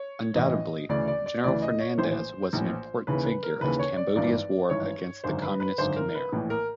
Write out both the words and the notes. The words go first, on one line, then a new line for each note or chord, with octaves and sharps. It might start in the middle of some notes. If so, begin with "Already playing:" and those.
Undoubtedly, General Fernandez was an important figure of Cambodia's war against the communist Khmer.
Already playing: C#5
A1 A2 E3 D#5
D2 C#3 E3 D5
D5
D5
D2 C#3 E3 D5
D#5
C#5
A#1 A2 E3 C5
A#1 A2 E3
D#2 C#3 E3 B4
B4
A#4
D#2 C#3 E3 B4
C#5
D5
G#1 G2 E3 D5
G#1 G2 E3 C#5
G#1 F#2 D3 C5
B4
B4
G#1 F#2 D3 C5
A#4
B4
A#1 A2 E3
A#4